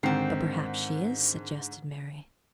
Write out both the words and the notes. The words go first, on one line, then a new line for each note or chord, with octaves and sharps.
"But perhaps she is," suggested Mary.
G#2 D3 D#3 C4 C7